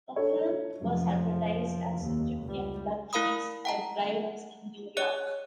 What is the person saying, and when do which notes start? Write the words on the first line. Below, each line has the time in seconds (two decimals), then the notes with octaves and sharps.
The film was advertised as "Egyptian Blood Feast" at drive-ins in New York.
0.16 D4 A4 C#5
0.81 F1 F#2 F3
1.97 D#2
2.44 C#2 G3
3.13 A3 E4 A#4 F5 B5 D#6
3.65 F#5 A5 A#5
4.97 G#4 C#5 D#5 F#6